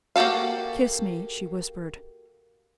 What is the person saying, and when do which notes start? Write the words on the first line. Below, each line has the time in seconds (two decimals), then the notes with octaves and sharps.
"Kiss me," she whispered.
0.16 A#3 F#4 G4 A4 F5